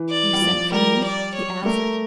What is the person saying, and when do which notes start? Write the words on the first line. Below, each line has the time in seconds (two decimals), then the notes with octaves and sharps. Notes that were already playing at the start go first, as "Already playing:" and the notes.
"You sent for me?" he asked.
Already playing: E3
0.10 D5
0.33 G3
0.41 F3
0.72 G3 A#4
1.04 D5
1.34 C#5
1.62 G3
1.66 A3 A#4